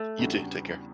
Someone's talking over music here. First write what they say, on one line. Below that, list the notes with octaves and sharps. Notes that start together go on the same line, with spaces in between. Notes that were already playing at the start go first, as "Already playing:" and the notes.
You too, take care.
Already playing: A3
E2 C#3 G3 D4 F#4